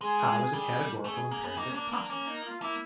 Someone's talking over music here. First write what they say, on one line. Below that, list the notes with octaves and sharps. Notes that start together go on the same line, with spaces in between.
How is a Categorical Imperative Possible?
G#3 G#4
G3 G#4
A3 G#4
A#3
B3
A#3 D#4
C#4
A#3 D4
A#3 D4
A#3 C#4
D#4
F4
A#3 E4